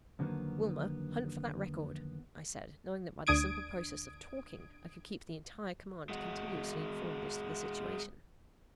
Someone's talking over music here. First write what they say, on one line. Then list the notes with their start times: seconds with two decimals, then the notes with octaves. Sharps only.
"Wilma, hunt for that record," I said, knowing that by the simple process of talking I could keep the entire command continuously informed as to the situation.
0.19 F2 D3 D#3 F#3 A#3 B3
3.27 D2 D4 D#6 G#6 D7
6.09 G#3 F#4